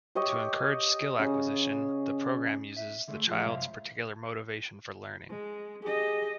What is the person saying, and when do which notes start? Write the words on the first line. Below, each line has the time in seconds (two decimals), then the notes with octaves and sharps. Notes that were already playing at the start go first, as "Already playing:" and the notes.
To encourage skill acquisition, the program uses the child's particular motivation for learning.
0.15 G4 C#5 D#5
1.19 C#3 G#4
2.77 E5
3.08 D3 G#3 A3 D4
3.27 F3 G#3 A3 G#4
3.45 F#2 C3 G#3 E5 F5 C6
5.29 G#3
5.84 G4 G#4 D#5